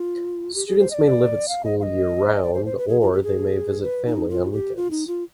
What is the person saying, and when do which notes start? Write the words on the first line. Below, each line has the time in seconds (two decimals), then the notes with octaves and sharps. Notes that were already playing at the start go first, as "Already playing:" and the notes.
Students may live at school year round or they may visit family on weekends.
Already playing: F4
0.55 G4
0.67 G#4
0.79 C5
0.91 D#5
0.94 D5
1.49 F5
1.65 D#5
1.79 F5
1.83 D#5
2.42 D5
2.54 C5
2.65 C5
2.78 B4
2.88 G#4
3.00 F4
3.13 G4
3.24 G#4
3.83 B4
4.06 D#4
4.29 F4
4.52 G4
4.76 F4
4.91 D#4
5.07 F4